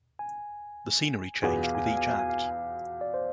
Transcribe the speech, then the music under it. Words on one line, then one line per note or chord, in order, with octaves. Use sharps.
The scenery changed with each act.
G#5
E2 B2 B3 F4 G#4 F5
G#5
F5
G#5
F5
G#5
F5
G#5
F5
D5
C5